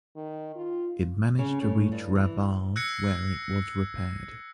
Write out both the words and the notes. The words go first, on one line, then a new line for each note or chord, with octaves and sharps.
It managed to reach Rabaul, where it was repaired.
D#3
F4
C#3
A2
G2
E3
E6 F#6 G#6 A#6 C7 C#7